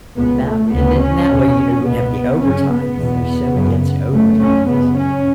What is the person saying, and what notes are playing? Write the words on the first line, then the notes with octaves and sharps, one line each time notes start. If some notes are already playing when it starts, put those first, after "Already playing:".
that way and then that way, you know, we'd have the overtime- 'cause they're so against overtime these days-
C#2 B2 B3
A3
D2 C#3 B3
C#4
E2 B2
C#2 B2 B3
F#2 C#3 C#4
B3
E2 B2
F#2 C#3
F#2 C#3 A3
C#4
F#2 C#3 B3
C#4